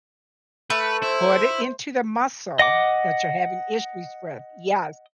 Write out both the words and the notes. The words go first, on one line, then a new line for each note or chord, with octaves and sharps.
put it into the muscle that you're having issues with, yes.
A3 B4
E4 C5
D#5 F#5 D6